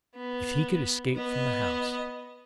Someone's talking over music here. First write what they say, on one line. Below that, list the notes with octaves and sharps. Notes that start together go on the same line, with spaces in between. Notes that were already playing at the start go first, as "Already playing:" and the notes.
If he could escape from the house!
B3
B3 D#5